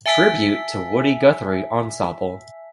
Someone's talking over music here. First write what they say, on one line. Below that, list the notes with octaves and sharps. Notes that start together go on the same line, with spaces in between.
Tribute to Woody Guthrie ensemble.
E5 G#5 A5 E6 B6